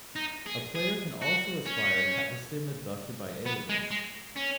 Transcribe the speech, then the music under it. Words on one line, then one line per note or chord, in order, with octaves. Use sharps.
A player can also aspire to have a Sim abducted by aliens.
D#4
G#4
G#4
F#4
C#4
B3
G#3
G#3
C#4